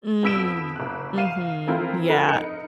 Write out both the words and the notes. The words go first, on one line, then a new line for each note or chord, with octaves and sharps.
Mm. Mhm. Yeah.
F2 B3 E6 B6 D7 E7
F#1 F#6
F5 D#7 E7
E3 F3 C4 E4 F4 A#4
A#4 B4
D#4 C#7